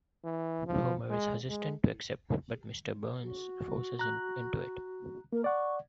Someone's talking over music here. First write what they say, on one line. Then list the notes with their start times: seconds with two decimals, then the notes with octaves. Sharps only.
Homer is hesitant to accept, but Mr. Burns forces him into it.
0.24 E3
0.67 F3
1.10 G#3
1.49 G#3
3.22 F#4
3.99 A#5 F#6
5.33 A#3 A#4
5.44 D5 F#5 C#6